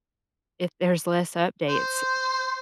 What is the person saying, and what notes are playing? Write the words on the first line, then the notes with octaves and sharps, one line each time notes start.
if there's less updates,
C5